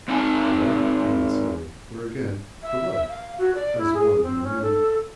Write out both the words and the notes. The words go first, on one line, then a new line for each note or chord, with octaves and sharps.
"The Right," he would say. Or again "The Left," as one who knew.
G#2 C4 D#4 F#5 G#5 A5
E5
F5
F#4
D5
E4
G#4
C4
C#4
A4